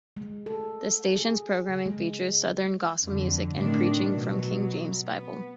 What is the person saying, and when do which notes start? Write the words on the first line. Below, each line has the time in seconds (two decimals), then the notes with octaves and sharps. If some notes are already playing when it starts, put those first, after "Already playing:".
The station's programming features Southern gospel music and preaching from the King James Bible.
0.17 G#3
0.46 A4
1.16 G#4
1.69 C#3
1.86 G#3
3.03 F2 D3
3.55 A2 C3 D#3 A3 D4
4.05 B2 F#3
5.03 B3